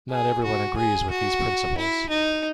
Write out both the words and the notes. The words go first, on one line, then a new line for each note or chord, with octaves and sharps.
Not everyone agrees with these principles.
G#4
F#4
G#4
F#4
E4
D#4